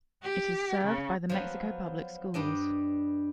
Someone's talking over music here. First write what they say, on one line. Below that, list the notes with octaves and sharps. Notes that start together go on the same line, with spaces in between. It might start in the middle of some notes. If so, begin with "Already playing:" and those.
It is served by the Mexico Public Schools.
G4
C#3
F3 F#3 B3
G2 G3 D4 D#5